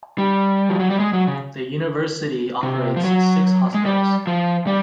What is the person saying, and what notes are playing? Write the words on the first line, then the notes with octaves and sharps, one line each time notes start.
The university operates six hospitals.
G3
F3
F#3
G3
G#3
F#3
C#3
C3
F3
F#3
G#3
G3
F3
G3